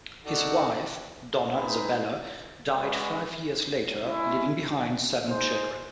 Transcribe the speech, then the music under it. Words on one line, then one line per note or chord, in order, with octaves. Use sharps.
His wife, Donna Isabella died five years later leaving behind seven children.
D#4 F#4 A4 D5 F#5
C4 D#4 G#4 B4
G#3 C#4 F#4 B4 D5
G#3 C#4 E4
D#4 G#4 C5